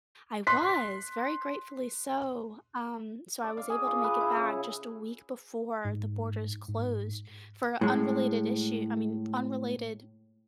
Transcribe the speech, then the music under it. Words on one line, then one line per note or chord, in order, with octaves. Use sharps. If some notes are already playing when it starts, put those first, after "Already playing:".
I was, very gratefully so. Um, so I was able to make it back just a week before the borders closed for unrelated issue I mean, unrelated
C6 F#6 B6
D5
F5
G#4
F4
B4
E4
C#3
G#2
G#2
A2 G#3